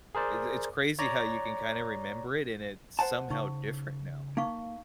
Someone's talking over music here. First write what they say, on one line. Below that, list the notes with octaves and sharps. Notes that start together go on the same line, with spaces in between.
uh, it's crazy how you can kinda remember it, and it's somehow different now.
G#4 A#4 C5 D5
C#5 D5 A#5
C5 F#5 A5
C#3 D#4 C#6
A#3 D#4 F5 C#6